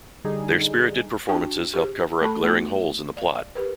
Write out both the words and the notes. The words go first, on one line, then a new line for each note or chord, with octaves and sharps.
Their spirited performances help cover up glaring holes in the plot.
D3 G3 D#4 G#4
D4 F#4 G5 A5 C#6
G4 G#4 C5
A3 A4 A5 B5 C#6
A3 B3 D#4 F#4
D5 F5
G4 A#4 B4